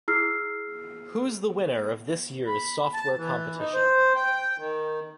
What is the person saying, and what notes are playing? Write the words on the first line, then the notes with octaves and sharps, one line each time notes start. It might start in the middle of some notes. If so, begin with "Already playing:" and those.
Who's the winner of this year's software competition?
E4 G#4 E6 F6 C7
B5
A5
E3
D#4
C5
G5
D#3